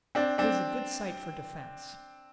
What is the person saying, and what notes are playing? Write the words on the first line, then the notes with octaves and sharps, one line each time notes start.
It is a good site for defense.
C4 D4
C4 D4